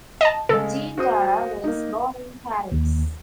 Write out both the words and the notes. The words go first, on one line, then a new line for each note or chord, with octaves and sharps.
Jean Dara was born in Paris.
D#5 A5
C#3 G#3 A4
F#4 C5 D#6
A#3 D#4
D#2